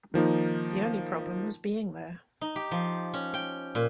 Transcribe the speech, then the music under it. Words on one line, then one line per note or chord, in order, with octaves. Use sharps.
The only problem was being there.
D#3 F3 A#3 D#4
D#4
G4
F3
C#4
G5
A#2